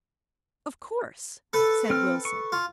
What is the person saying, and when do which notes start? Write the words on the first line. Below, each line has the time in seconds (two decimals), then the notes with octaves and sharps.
"Of course," said Wilson.
1.53 A4 B4
1.90 C4 F6
2.25 C#6
2.52 F4